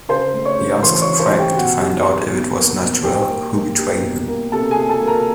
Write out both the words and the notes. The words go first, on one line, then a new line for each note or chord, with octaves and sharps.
He asks Frank to find out if it was Naturelle who betrayed him.
C#3 C5 C6
A3
C#5 C#6
C#3
E3 C5 C6
C#5 C#6
A3
C5 C6
C#3
G4 G5
B2 F#4 F#5
G3
G3
B2
A#3
B2
G3 G4 G5
A#3
A#3
G3
B2
A#3
C3 A4 A5
G#4 G#5
C3
A4 A5
A#3
A#4 A#5